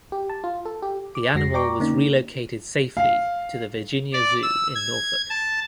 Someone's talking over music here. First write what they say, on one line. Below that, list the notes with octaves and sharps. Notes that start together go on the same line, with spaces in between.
The animal was relocated safely to the Virginia Zoo in Norfolk.
G4
A5
F4
A4
G4
D6
F2 G#3 F#4 A#6 C7
D5 G5 A#5 C#6 D6
D3 A#3 C#4 D#4
F5
D5
E6
G#6
A5